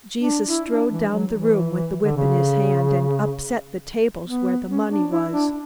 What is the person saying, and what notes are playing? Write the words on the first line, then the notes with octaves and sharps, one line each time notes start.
Jesus strode down the room with the whip in his hand, and upset the tables where the money was.
D4
E4
D4
E3
F#3
E3
D3
C#3
B3
C#4
D4
E4
D4